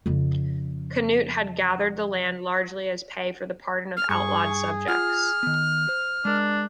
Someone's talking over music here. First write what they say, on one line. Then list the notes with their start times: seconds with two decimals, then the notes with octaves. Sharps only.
Canute had gathered the land largely as pay for the pardon of outlawed subjects.
0.06 F2 C#3
3.96 F6
4.09 G2 G#4 C#6
4.87 F4 F#5 F6
5.43 D#3 B3
5.89 C5
6.25 G#3 D4 A#4